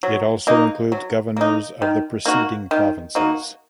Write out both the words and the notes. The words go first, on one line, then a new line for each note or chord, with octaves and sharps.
It also includes governors of the preceding provinces.
F#3
A#3 D#4
F#3
A#3 D#4
D#3
A#3 D#4 F#4
D#3
A#3 D#4 F#4